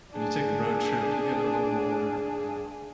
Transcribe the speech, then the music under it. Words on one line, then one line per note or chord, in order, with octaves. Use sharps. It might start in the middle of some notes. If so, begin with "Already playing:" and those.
when you take a road trip, you get a little more, uh
D4 G#4